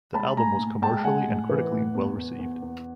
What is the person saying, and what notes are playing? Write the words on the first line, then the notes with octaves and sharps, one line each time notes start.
The album was commercially and critically well received.
G#3 A5 B5
A2 G#5 A#5
A2
G#3 G5 A5
G#3 F#5 G#5
A2
E3
A2
E2
E2
E2
E2